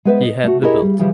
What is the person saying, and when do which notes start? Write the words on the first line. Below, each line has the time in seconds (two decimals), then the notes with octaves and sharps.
He had the built.
0.05 G#3 B3 B4 C5 E5
0.23 D#5
0.44 A3 F#4
0.63 E4 G4 G#4 A#4 C#5 D#5
0.82 G3
0.99 C#3 E3 F3 G3